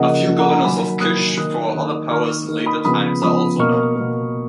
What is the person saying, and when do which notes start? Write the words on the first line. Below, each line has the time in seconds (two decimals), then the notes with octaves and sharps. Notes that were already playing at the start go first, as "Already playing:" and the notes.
A few governors of Kish for other powers in later times are also known.
Already playing: C#3 F3 A#3 D#5 F#5
0.26 C#3 F3 A#3
0.39 F#5 A#5
0.51 F#5 A#5
0.63 D#3 F#3 A#3 G#5 B5
1.00 D#3 F#3 A#3 D#6 F#6
1.37 D#3 A#3 D#6 F#6
1.75 D#3 A#3
2.11 D#3 A#3 C#6 F6
2.48 D#3 A#3
2.66 B5 D#6
2.85 C#3 F3 B3 B5 D#6
3.22 C#3 F3 B3 B5 D#6
3.59 B2 A#3 C#6 F6
3.96 B2 A#3